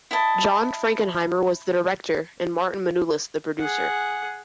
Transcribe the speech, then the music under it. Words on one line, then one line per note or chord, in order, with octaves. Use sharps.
John Frankenheimer was the director and Martin Manulis the producer.
E4 D#5 A5
G#4 F#5